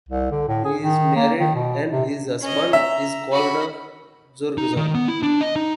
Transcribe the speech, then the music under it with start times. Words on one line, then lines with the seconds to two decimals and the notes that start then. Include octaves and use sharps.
He is married and his husband is called Jurgen.
0.09 C2
0.31 D3
0.48 A2
0.65 G#4
0.82 D#3
1.16 A#3
1.40 D#3
1.55 B2
1.91 C3
2.41 C#4 D#5
2.73 E5 A#5
3.31 F#4 B5
4.58 D#4
4.77 D#3
4.95 B3
5.08 E4
5.23 D4
5.41 D#5
5.56 D#4